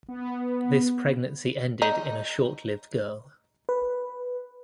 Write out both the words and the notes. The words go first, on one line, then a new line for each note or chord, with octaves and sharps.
This pregnancy ended in a short-lived girl.
B3
D#4
B4